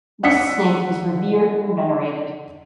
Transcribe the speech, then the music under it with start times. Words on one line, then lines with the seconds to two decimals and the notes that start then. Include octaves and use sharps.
This snake is revered and venerated.
0.23 D5 F#5 D#6 E6 B6 C#7